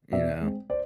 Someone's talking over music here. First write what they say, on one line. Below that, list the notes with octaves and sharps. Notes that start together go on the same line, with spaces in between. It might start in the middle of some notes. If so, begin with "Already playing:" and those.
you know?
B2 D5 E5
G#3 C4
C5 D5